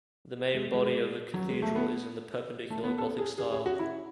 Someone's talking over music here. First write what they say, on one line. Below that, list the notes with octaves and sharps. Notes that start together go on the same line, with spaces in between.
The main body of the cathedral is in the Perpendicular Gothic style.
G#3
G#3
F#3
G#3
A3
B3
A3
B3
A4
G#4
G#4
G#4
F#4
E4